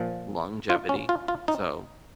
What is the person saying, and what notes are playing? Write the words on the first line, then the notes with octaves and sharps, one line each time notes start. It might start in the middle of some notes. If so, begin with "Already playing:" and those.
longevity. So,
Already playing: A#2 F3
F4
C#4
F4
F4
D#4